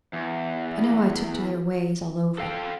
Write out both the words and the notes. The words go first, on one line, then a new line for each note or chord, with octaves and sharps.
I know I took to their ways all over.'
E2
A4 F5 G5